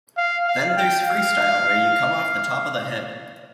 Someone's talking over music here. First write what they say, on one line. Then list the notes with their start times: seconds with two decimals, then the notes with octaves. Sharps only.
Then there's freestyle where you come off the top of the head.
0.17 F5
0.47 F5
0.77 G5
1.05 F5